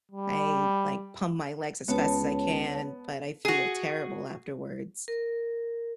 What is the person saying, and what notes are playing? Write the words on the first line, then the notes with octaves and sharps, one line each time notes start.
I like pump my legs as fast as I can, but I feel terrible afterwards.
G3
C#2 B3 C#5 A5
F#4 G#4
A#4